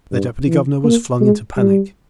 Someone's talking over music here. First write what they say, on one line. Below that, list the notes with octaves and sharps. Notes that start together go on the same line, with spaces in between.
The Deputy-Governor was flung into panic.
G2
E3
A#3
G#3
G3